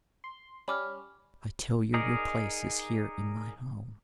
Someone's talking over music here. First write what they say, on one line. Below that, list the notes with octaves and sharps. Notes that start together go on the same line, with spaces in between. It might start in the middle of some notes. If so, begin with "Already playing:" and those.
I tell you, your place is here in my home.
C6
G3 C#4 B5 D6 F6
D#4 G#4 A#4 D5 D#5